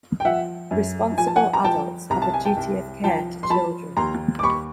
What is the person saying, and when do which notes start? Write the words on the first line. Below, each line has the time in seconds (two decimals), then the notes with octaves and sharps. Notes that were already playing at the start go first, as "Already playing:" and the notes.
Responsible adults have a duty of care to children.
0.20 G5
0.25 F3 E5 F#5
0.71 F#2
1.18 F3 G#5
1.27 A5
1.36 F#5 G#5
1.53 A#5
1.64 F3 G5 A5
2.10 C2 A#5
2.22 A5
2.34 G#5
2.45 G5 A5
2.57 C2
3.04 F3 G5 A5
3.43 C6
3.50 F3 A5 B5
3.97 D#2 A#5 C6
4.39 D6
4.43 D#2 B5 C#6